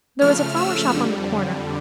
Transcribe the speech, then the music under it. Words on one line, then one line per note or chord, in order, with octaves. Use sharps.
There was a flower shop on the corner.
C#3 F3 A3 F6
E6
F2 D3 G3